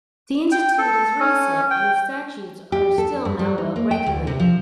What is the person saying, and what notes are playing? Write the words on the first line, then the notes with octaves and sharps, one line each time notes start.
The institute is recent and its statutes are still not well regulated.
G5
A4
C#4
G5
G4
A4
G2
G3
D#4
A#3
G5
D2
C3
F3